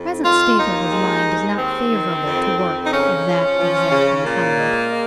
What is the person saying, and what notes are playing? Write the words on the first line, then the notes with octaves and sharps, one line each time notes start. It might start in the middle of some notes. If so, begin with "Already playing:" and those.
The present state of his mind is not favorable to work of that exacting kind.
Already playing: F2
D#3 F4
D#2 D#4
G#3
D#2
D#3 C4
D#3
F2
F2
D#4
C#3 C#4
F3
F3
C#3
A#2 A#3
G#3
G#3